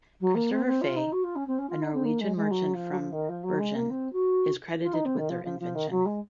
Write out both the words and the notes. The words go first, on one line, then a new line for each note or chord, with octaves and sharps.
Christopher Faye, a Norwegian merchant from Bergen, is credited with their invention.
F#3
A#3
C4
C4
F4
D#4
F#4
F4
C#4
C4
C#4
F4
D#4
C4
A#3
G#3
G#3
F#3
F3
F#3
F3
D#3
F3
F#3
G#3
A#3
C4
F#4
F4
D#4
C4
D#3
F3
F3
F3
D#3
F#3
G#3